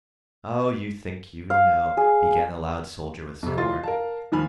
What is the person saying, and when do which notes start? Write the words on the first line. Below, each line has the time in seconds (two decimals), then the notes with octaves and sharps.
"Oh, you think you know--" began the loud soldier with scorn.
1.50 F5
1.97 G#4
3.43 F2 C3
3.58 E3 F4 D#5 C6 A6
3.83 A#4 F5 A5
4.32 D#2 D#3 F3 G#5 B5 F6